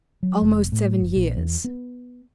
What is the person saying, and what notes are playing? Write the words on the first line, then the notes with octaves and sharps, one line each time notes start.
"Almost seven years."
F#3
F1
A2
F#1
A#1
E2
B3